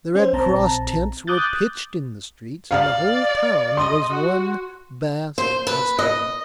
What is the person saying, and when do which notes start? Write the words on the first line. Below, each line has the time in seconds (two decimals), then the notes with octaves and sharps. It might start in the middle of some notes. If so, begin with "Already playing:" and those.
The Red-Cross tents were pitched in the streets and the whole town was one vast hospital.
0.15 C#4 C5
0.32 A#1 C4 A5 A#5
1.27 D6 D#6 F#6 G6 A6
2.71 D5 F5 F6
3.77 D#5 C6
4.10 F#4
5.38 C5
5.67 B4
5.99 D#5